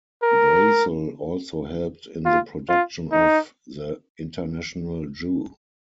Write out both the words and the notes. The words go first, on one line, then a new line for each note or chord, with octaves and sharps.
Brasol also helped in the production of "The International Jew".
A#4
F4
F4
D#4